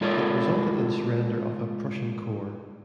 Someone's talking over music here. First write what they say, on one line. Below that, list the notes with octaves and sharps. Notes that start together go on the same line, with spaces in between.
It resulted in surrender of a Prussian corps.
G#3 A3 F4 A4 A#4 C#5